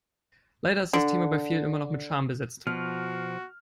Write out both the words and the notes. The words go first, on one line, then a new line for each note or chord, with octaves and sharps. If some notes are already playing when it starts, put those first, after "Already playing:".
Leider ist das Thema bei vielen immer noch mit Scham besetzt.
D3
B2 F3 F#4 F6